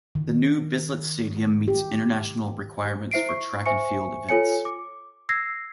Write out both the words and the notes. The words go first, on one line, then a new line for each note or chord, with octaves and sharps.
The New Bislett Stadium meets international requirements for track and field events.
D#3
G4
E4 C5 E5 C7 D7
C#6
C5 E5 G#5 C#6 C#7
F4 A4 C#5 G#5 C#7
D6
E6 G#6 A#6 C7